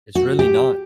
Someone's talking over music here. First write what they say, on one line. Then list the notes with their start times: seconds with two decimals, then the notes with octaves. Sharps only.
it's really not.
0.15 F#4
0.39 G4